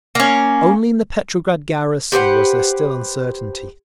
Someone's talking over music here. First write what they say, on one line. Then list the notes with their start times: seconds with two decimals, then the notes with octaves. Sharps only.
Only in the Petrograd garrison was there still uncertainty.
0.15 A#3 C#4
2.12 G4 B4 C5 F#5